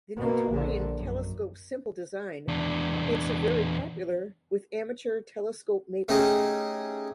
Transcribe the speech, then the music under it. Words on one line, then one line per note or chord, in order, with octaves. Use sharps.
The Newtonian telescope's simple design makes it very popular with amateur telescope makers.
B2 A#3
A#1 D3
F#2
E2 D4
A3 C#4 D#4 G4 G#4 D#5